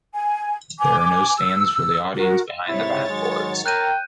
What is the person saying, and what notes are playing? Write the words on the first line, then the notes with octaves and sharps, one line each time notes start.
There are no stands for the audience behind the backboards.
G#5
G#5 D6
E6
F#4 A#4
G#2 C3 E4 C#5 A6
G#2 D#3 F#3 G#3
A#4 G5 F#6 G6 D#7